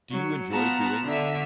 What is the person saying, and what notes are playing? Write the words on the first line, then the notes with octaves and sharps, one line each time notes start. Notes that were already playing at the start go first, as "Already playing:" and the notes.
Do you enjoy doing
F#3
B3 F4 F#5 A5 A#5
D3 E5